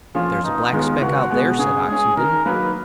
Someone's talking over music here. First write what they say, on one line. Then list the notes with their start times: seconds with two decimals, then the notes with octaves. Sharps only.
"There's a black speck out there," said Oxenden.
0.15 F3 A#3 C#4 F4
0.43 F1 D#4
0.72 D#2 D#3 G#3 B3 F4
1.01 C#2 F#4
1.30 B2 G#3 B3
1.58 C#3 G#4
1.88 G#3 C#4 G#4
2.16 D#3 A#4
2.45 F#3 A#3 D#4 B4